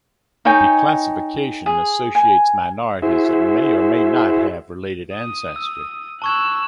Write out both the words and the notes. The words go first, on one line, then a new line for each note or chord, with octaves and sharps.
The classification associates minorities that may or may not have related ancestry.
D#4 C#5 G5 G#5
G#4
G#5
E4 F#4 G#4 C5 E5
D#6
E6
A5 C#6 E6 F#6 G#6